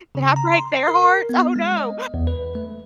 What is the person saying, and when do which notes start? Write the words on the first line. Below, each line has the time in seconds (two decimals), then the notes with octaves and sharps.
"Did I break their hearts? Oh, no."
0.15 C#3
0.36 A#5
0.52 C6
0.72 C7
0.88 A#4
1.29 B3
1.56 G#3
1.77 D#5
2.14 E2
2.27 B4
2.55 A3